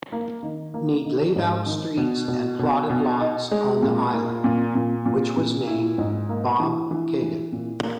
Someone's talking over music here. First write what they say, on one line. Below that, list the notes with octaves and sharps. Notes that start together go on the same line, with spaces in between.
Need laid out streets and plotted lots on the island, which was named Bobcaygeon.
A#3
D#3
A#3
D#3
G#2
D#3
B2
B2
B2
B2
D#4
G#3
A#2
A#3
A#2
A#2
A#2
A#2
E4
G#2
A#3
E3
E3
E3
A#2
A#3